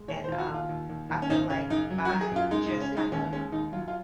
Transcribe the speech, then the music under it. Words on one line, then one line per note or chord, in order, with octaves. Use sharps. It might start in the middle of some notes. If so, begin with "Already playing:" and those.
And, um, I feel like by just kind of,
Already playing: G#3
D#2 C#5
C5
D#2 F4
F#4
D#2
F4
D#2
D#2
D#2
C#4
G#1 D#4
C#3 C#4
F#2 D#4
F#3
F#4
F#3
G#4
F#2 F4
G#3 D#4
D#4
C#3
C#4
G#3 D#4
D#2 C#4
G#3 C#4
D#2 D#4
F#3 F4
F4